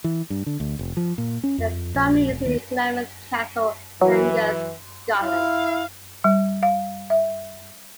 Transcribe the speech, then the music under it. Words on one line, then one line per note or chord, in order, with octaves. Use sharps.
The family seat is Glamis Castle, in Angus, Scotland.
E3
G2
D3
D2
F1
F3
A#2
C#4
F2
A#1
F1
D#2
E3 F#3
E4 F5
G3
F5
E5